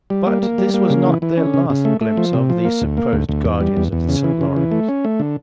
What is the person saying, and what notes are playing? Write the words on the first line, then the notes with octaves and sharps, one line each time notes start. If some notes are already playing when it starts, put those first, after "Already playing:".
But this was not their last glimpse of the supposed guardians of the St. Lawrence.
G3
A#3
A#3
G3
A#3
C#3
E3
E3
C#4
C#3
C#3
A3
A3
F3
C3
F3
A#3
D2
A#3
D2
D2
E2
G3
E2
E2
C#3
E3
C#3
E3
A3
C#4
A3
D3